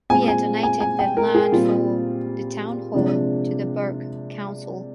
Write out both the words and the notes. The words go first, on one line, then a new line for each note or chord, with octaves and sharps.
Weir donated the land for the town hall to the burgh council.
A#2 G#3 C4 G#5
G#5
G#5
G#5
G5
A#4
G#4
A#2 G3 C4 F4
C3 F3 G#3 D4